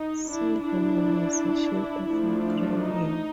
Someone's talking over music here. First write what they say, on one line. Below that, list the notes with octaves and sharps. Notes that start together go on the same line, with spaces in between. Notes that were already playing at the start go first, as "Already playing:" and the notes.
See romanization of Ukrainian.
Already playing: D#4
D4 E4
D4 E4
F3 A3 D4
D#4